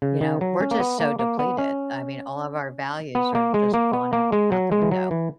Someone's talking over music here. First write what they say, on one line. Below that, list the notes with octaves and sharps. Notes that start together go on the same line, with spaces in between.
You know, we're just so depleted. I mean, all of our values are just going out the window.
C#3
D#3
F#3
C#4
A#3
B3
A#3
A#3
B3
C#4
B3
A#3
G#3
A#3
B3
A#3
G#3
F#3
G#3
E3
F#3
E3